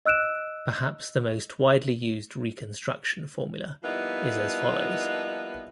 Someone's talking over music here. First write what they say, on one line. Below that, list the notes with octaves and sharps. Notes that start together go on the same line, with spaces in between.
Perhaps the most widely used reconstruction formula is as follows.
D#5 E6 F#6 D7 E7
F3 G3 A#3 B3 D#4 E4